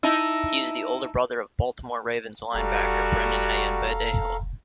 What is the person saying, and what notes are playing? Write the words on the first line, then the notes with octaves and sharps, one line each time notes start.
He is the older brother of Baltimore Ravens linebacker Brendon Ayanbadejo.
D#4 E4 A5 E6
F1 G3 F#4 A4 F5 A#5